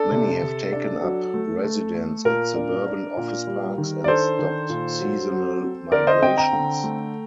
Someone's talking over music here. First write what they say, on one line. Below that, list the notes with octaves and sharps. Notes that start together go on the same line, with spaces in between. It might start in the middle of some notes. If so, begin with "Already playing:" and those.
Many have taken up residence at suburban office parks and stopped seasonal migrations.
Already playing: D4 A4
C3
C3
D4
F#3
A3
A3
A3
A#2 A#4
D4
D4
A#2
G3
D#3
D5
D4 A4 C5
D#3
A#2
F#3
F#3
C4
D3 A#4 D5
C5 D#5
C4 D#5 G5
G5 A#5
D3
A3